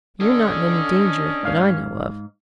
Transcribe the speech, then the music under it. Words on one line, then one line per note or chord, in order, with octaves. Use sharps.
"You're not in any danger that I know of."
C#4 D4 A4 D#5
G#2 F5